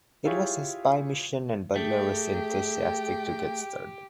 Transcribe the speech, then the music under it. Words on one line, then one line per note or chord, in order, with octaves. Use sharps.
It was a spy mission and Butler was enthusiastic to get started.
E4 F4 G4 G#4 C#5
A3 G4 G#4 G5